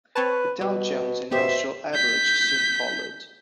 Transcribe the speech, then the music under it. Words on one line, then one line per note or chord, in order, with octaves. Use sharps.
The Dow Jones Industrial Average soon followed.
C4 B4 C#5 A5
B2 G3
B2 B3 G4 C5 E5
G6 B6